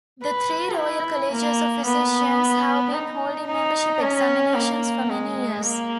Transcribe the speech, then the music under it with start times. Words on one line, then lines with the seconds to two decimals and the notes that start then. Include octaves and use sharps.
The three Royal Colleges of Physicians have been holding membership examinations for many years.
0.22 B4
0.76 E4
1.31 A#3
1.85 B3
2.93 D#4
3.47 D#4
4.01 C#4
4.55 A#3
5.09 G#3
5.63 A#3